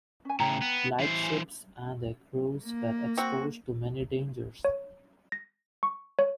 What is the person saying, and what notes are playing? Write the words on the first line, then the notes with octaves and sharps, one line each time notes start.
Lightships and their crews were exposed to many dangers.
C#4 G#5
A2 C#3 G5 A#5
B3
E3 C5
G#5
A#3
C4 F#4
C#5
A#6
C#6
C#5